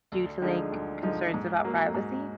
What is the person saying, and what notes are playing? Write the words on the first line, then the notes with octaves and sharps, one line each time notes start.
due to, like, concerns about privacy?
D2
D3 F3 G#3 D#4
D2
D3 F3 G#3 D#4
G#2
F#3 A#3
G#2